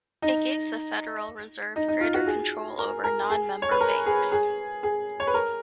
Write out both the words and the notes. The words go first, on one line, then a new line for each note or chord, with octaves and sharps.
It gave the Federal Reserve greater control over non-member banks.
D#4
D#4
D#4
F4
F#4
G#4
A#4
A#4
G#4
C#5
B4
A#4
G#4
G#4
G#4
C#5
B4
A#4